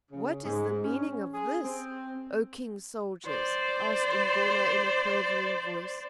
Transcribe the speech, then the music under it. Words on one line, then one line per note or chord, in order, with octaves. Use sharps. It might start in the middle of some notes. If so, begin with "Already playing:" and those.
"What is the meaning of this, O King's soldiers?" asked Umgona in a quavering voice.
C#3
G#2
C#4
G#4
C4
C5 D5